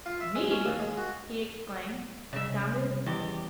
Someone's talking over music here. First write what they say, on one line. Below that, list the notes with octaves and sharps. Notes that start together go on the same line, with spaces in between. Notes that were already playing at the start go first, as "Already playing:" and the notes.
"Me!" he exclaimed, astounded.
F4
E5
G#3
C#4
D#2
G#3
F#4
C2 C#3 E5
E2 G3 G4